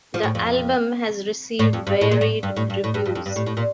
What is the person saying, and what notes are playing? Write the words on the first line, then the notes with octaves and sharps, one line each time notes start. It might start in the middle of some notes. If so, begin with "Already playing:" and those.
The album has received varied reviews.
F3
A2
F2
A2
F2
G2
A2
A#2
A2
G2
A2
G2
A2
G2
G2
F2
G2
A2
A2
A#2